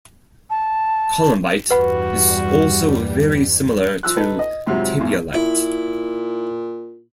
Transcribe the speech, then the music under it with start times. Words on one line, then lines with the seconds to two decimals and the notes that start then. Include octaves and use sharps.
Columbite is also very similar to tapiolite.
0.50 A5
1.70 E2 G2 G3 F#4 B4 F#5 B5
4.03 F3 E6 F#6
4.16 D#4 A4 B4
4.39 D#5
4.66 F2 G#2 C3 F#3
4.99 G#1 E2
5.34 A#2 E4